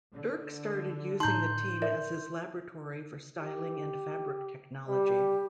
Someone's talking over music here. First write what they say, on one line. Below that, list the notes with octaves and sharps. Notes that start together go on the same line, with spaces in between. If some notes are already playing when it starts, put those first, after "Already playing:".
Dirk started using the team as his laboratory for styling and fabric technology.
D3
A2 D#4 A5 A#5 C6 G6
A#4 D5 E5
G4
G3 G4